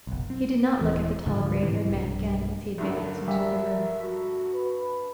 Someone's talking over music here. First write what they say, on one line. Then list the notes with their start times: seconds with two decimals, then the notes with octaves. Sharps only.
He did not look at the tall, gray-haired man again as he advanced into the room.
0.07 F#1 B1
0.30 C4
0.81 D#1 E3
1.26 C#2 G#2 D3 F3
1.62 G#2 C3 E3
1.88 B1 G2
2.78 C2 G2 D3 A#4
3.28 G3 E5
4.02 F#4
4.54 B4